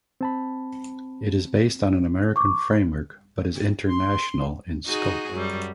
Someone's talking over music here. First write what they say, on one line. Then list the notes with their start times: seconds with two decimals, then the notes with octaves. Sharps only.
It is based on an American framework but is international in scope.
0.21 C4 A5 B5
2.36 C#6 D6
3.85 C6
4.87 D#4 F#4 G#4
5.34 F#2 G3